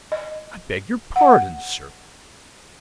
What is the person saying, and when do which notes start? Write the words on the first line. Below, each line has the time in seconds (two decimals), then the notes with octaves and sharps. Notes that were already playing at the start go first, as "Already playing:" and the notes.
I beg your pardon, Sir.
0.12 D#5
1.16 F#5